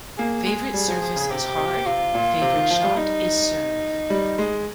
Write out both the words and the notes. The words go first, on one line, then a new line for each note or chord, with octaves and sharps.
Favorite surface is hard; favorite shot is serve.
A#3 G#4
G#3
G3
F3
F3
C#3
C3 G4
C3
C3 F4
A#2
C3
D#3
F3
G3
D#4
G3
G#3